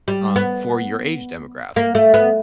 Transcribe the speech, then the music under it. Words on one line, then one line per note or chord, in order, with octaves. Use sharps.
um, for your age demographic.
G3
B3
A#3
A3
B3